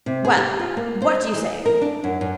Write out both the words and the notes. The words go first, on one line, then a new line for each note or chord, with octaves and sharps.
Well, what do you say?
C3
G#4
G4
F4
A#3
C5
E3
A#4
D4
F#2
F#2